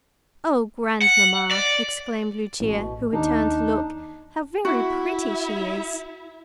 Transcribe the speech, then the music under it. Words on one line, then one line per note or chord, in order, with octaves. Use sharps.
"O grandmamma!" exclaimed Lucia, who had turned to look, "how very pretty she is!"
F#5
D5
A1 B2
D#2 D4 D#4
E4 F#4 E5